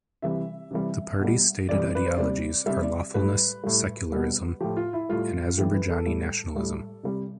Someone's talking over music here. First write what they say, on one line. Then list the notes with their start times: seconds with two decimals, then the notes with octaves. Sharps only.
The party's stated ideologies are lawfulness, secularism, and Azerbaijani nationalism.
0.22 C3 E3 G3 E5
0.71 C3 E3 G3
1.20 B2 G3
1.69 C3 E3 G3 D5
1.95 B4
2.06 C5
2.17 C3 G3 D5
2.66 C3 G3 E5
2.82 D5
3.14 A2 G3 B4
3.64 A2 G3
4.12 B2 G3
4.61 A2 F3 G4
4.77 F4
4.93 E4
5.09 A2 G3 F4
5.58 A2 E3 G3 G4
5.74 B4
5.90 A4
6.06 A2 G3
6.55 A2 G3
7.03 C3 G3